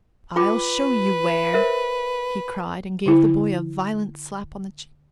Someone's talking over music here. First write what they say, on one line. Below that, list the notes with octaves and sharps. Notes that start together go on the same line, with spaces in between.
"I'll show you where!" he cried, and gave the boy a violent slap on the cheek.
F4 B4 G5 D6
A#4 C5 E5
D3 E4